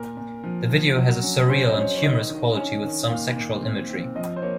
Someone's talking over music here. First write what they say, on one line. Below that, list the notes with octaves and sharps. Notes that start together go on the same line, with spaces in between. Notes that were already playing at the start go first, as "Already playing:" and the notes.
The video has a surreal and humorous quality with some sexual imagery.
Already playing: A#2 A#4
A#2
F3
F3
F#3
C#4
C#4 C5
D#5
C#4 C#5
C#5
D#3 D#5
D#3
C#4
D#3
A#2 F5
A#2
C4
C4
F3 D#5
C5
A#3 C#5